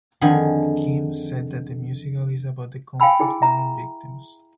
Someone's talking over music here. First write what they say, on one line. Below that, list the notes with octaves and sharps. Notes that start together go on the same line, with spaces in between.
Kim said that the musical is about the comfort women victims.
F2 D3 D#3 G#4 G#5
F5 G5 G#5 B5 E6
E4 G#4 G#5
E5 A#5